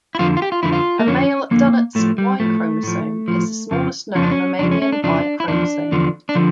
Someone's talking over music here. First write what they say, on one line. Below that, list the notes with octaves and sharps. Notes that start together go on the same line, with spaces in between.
A male dunnart's Y chromosome is the smallest known mammalian Y chromosome.
E4
F2 D3 F3 F4
F4
G4
F4
F2 D3 F3 E4
F4
A#3
F2 D3 F3 C#4
F2 D3 F3 A#3
A2 F3 A3
G3
A2 F3 A3
A2 F3
A2 F3
F2 C#3 F3
F2 C#3 F3 C#4
D4
C#4
F2 C#3 F3 D4
C#4
C#4
D4
F2 C#3 F3 D4
E4
E2 D3 F3 D4
E2 D3 F3
D4
D3 F3